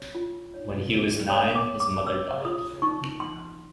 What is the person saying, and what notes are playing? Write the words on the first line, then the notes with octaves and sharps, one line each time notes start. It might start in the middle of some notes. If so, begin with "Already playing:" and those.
When he was nine, his mother died.
Already playing: C#5
F4
C#5
A#4
C#5 D#6
D6
C#5
D6
C#5 E6
F4 D#6
D#4 C#6
D#4 C6